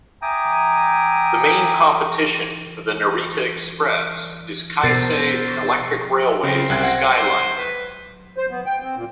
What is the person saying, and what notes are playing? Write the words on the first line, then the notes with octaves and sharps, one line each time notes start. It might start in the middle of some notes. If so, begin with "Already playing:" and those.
The main competition for the "Narita Express" is Keisei Electric Railway's "Skyliner".
E5 G5 G#5 A#5 D6 D#6
B2 D3 D#3 A#4 C5 A6 C7
C#3 C4
C2 F#6 G#6
F#5 A#6
C5
B4
C5
B3
G5
C4
A#2